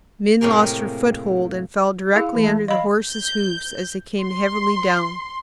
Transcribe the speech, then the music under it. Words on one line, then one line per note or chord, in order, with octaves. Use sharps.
Min lost her foothold and fell directly under the horse's hoofs as they came heavily down.
A2 C3 A#3 G#4 A#4
E4 G#4 F5
E3 A3
D#5 F5 B5
G6
C6